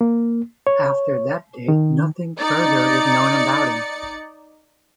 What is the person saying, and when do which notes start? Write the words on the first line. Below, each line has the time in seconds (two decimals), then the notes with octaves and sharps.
After that date, nothing further is known about him.
0.01 A#3
0.67 C#5
1.68 D#3
2.39 D#4 D5 A6 C#7